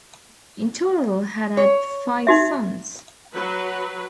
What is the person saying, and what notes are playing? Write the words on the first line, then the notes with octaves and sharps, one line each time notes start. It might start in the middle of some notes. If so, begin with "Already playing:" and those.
In total, had had five sons.
C#5
D#4 F#4 E5
F#3 B4